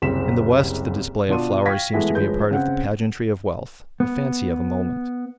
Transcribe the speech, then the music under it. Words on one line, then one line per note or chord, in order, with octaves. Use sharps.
In the West the display of flowers seems to be a part of the pageantry of wealth,--the fancy of a moment.
F#1 C2 C4 G#4 B6 E7
B2 D4 F4 C6 D#7
F5 G5 C#6 G#6 A#6 B6
E3 G#3 A3 B3 E4
G1 F3 G#3 B4 G6
C#3 C4 F#5
B3